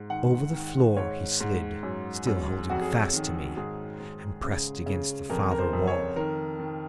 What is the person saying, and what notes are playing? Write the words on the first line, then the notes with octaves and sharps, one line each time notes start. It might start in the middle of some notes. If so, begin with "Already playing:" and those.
Over the floor he slid, still holding fast to me, and pressed against the farther wall.
Already playing: G#2
D#3 F#5
D#3
G#2 C#5
G#2
F#2
F#2
F2 F#4
G#4
F#4
D#3
G#2 G#4
G#2
C#3
C#3
F2 A#4
A#4
C5
F2
C#5
D#3 A#4
D#3